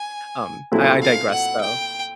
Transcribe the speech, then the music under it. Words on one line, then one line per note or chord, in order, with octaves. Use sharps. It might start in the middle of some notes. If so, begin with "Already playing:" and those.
um, I I digress, though,
Already playing: G#5
A#2 F#3 A3 C4 E4
F5
F#5
G5